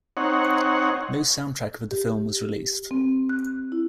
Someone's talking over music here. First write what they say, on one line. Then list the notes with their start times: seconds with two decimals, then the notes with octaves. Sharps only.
No soundtrack of the film was released.
0.17 C4 D#4 C#5 F#5
1.91 G4
2.91 C4
3.29 F#6
3.72 E4